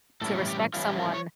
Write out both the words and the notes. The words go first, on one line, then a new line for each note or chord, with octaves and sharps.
to respect someone
A2 E3 G3 C#4 E4 A4
G4
A2 E3 G3 C#4 E4 F4
G4
A#4
C#5